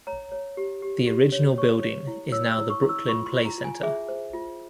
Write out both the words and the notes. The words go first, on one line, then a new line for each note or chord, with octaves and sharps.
The original building is now the Brooklyn Playcentre.
C#5 A#5
C#5
G4
G4
G4
C#5
C#5 C#6
C#5
E4
C#5 E6
E6
E4
C#6
E4
E6
F4 C#6
C6
F4
A#5
F4
G#5
G#4 E5
C5
F4